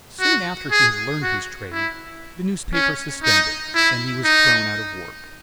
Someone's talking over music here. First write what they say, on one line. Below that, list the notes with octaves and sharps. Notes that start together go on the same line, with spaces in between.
Soon after he had learned his trade, the newspaper suspended, and he was thrown out of work.
F#4
G#4
F#4
E4
C#4
D#4
E4
D#4